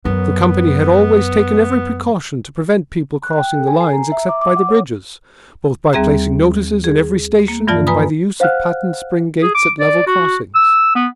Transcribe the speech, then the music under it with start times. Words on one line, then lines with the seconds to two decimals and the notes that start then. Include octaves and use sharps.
The company had always taken every precaution to prevent people crossing the lines except by the bridges, both by placing notices in every station and by the use of patent spring gates at level crossings.
0.05 F#2 B3
3.23 F#6
3.38 G5
3.55 A4
3.67 G#5
3.81 C7
3.93 A#5
4.12 E5
4.29 D6
4.41 D6
4.56 F#5
4.69 C#5
5.93 D#2 G3 C4 G#4 E5 A#5
6.84 G#4
7.48 A#3
7.67 G2 E3 F3 F4 D5 A5
7.87 B4 G#5 A#5 B5 D#6
8.40 C5 F5 F#5 F6 F#6
9.42 G#4
9.54 D6
9.80 D5
10.07 F#4
10.55 E6
10.95 B3